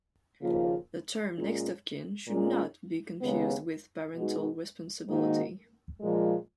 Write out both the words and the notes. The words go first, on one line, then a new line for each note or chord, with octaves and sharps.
The term "next of kin" should not be confused with parental responsibility.
D#2 C#3 F3 A#3 F4
A#2 G#3 C#4 F4
A#2 G#3 C#4 F4
D#2 C#3 G#3 B3
B2 G#3 D#4 F#4
G#2 D#3 A#3 D#4 F#4
A#2 F3 G#3